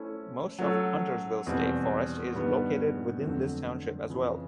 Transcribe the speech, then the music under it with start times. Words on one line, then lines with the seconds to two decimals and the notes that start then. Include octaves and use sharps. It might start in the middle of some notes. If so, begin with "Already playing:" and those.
Most of Huntersville State Forest is located within this township as well.
Already playing: A3 C#4 E4 A4 C5
0.59 F#3 A3 C#4 F#4 A4
1.46 E2 B2 G3 C4
2.34 G2 D#3 G3 B3
3.21 F2 D3 F#3 A3 C4
4.10 F2 C#3 E3